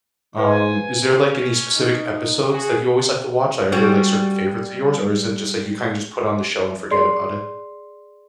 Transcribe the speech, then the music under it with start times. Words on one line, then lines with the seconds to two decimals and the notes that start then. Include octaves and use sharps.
Um, is there, like, any specific episodes that you always like to watch, like, are there, like, certain favorites of yours, or is it just, like, you kinda just put on the show and forget about it?
0.38 B4 C5 F5 G#5
1.11 C#4
1.74 D#4
2.50 F#4 G#4 F#5
3.72 G3 C#4 F#4
6.91 G#4 D5 C6 C7